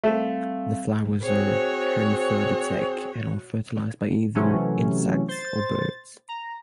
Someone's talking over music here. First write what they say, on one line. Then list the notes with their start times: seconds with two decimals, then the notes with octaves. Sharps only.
The flowers are hermaphroditic and are fertilised by either insects or birds.
0.04 G3 A3 C4 F5
1.23 C4 F#4 G#4 C5 C#5
4.35 C3 E3 F#3 A3 C#4
5.28 C5 A6
6.29 A#5